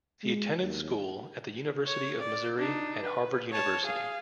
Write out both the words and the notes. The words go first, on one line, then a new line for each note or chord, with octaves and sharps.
He attended school at the University of Missouri and Harvard University.
G#3
D#2
C#5
D5
D4 D#4
B4
C#5 A5
G#4 F5